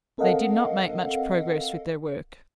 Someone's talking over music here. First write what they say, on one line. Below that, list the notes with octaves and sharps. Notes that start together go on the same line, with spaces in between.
They did not make much progress with their work.
C4 A4 A#4 D#5 F5 F#5